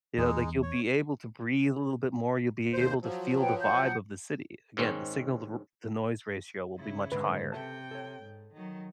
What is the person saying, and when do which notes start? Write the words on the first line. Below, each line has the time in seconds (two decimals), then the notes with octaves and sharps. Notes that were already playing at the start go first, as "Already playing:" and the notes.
You know, like, you'll be able to breathe a little bit more. You'll be able to feel the vibe of the city. Again, the signal to n noise ratio will be much higher.
0.18 E2 G#3 D#4
0.62 C#5
2.73 D#2 C5
3.02 F3 F#3
3.40 B4 F#5 G5
3.63 F#5 G6
4.77 G#2 D#3 C4 C#4
6.78 C#3 E4
7.12 G#2 D3 G#3 B4
7.52 C3 A4 E5 G5 A5
7.91 A4 C#5
8.23 G#2
8.54 D#3 F#3